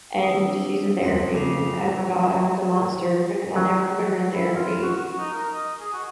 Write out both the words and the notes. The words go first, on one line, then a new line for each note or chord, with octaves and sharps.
and she's in therapy, and, oh my god, I'm the monster because I never put her in therapy.
D#3 C4 D#6 E6 D7
D4
D#1 F#4 C5 C6 A#6 B6
C#3 A3 A#3 C4 G#4 D6 C7 F7
F#3
E4
F4
F#4
F#4
D#4
A#4
D#5
G#4
F#4